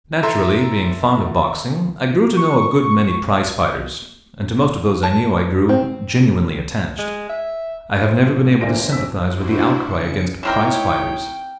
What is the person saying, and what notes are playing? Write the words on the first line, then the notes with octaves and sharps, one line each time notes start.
Naturally, being fond of boxing, I grew to know a good many prize-fighters, and to most of those I knew I grew genuinely attached. I have never been able to sympathize with the outcry against prize-fighters.
A4 E5 A#5 C6
C#6
A5
C4
G#3
E5
C5
A2 F3 C5
A3
D2 A#3 D4 C5 A#6 D7
G1
F2 C#4 E6 B6
D4 E4 F#4 C5
C#3 C#7
E3 C4 D#4 E4 A#4 C#5 G5